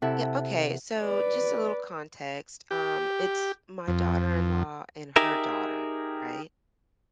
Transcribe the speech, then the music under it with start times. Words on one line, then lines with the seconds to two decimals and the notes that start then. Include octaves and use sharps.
Yeah, okay. So, just a little context, um, it's my daughter-in-law and her daughter, right?
0.02 C3 E4 A4 F#5
1.01 B4 D5
2.71 G4
3.88 F2
5.16 D#4 G4 G#4 A#4 E5